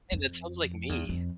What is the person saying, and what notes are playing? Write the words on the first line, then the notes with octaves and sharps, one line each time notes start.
And that sounds like me.
F2
E2
F2